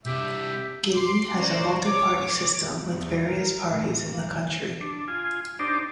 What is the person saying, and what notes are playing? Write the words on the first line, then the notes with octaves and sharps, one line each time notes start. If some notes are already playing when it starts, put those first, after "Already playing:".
Guinea has a multi-party system with various parties in the country.
C2 D4 G4 E5
C6 D6 C7
C#4 F#4 A#4 C5 D5
C#5 D6
E2
A#4
A2
A#3
D4
F4 G#5
D4 D#4 G4 C5 D5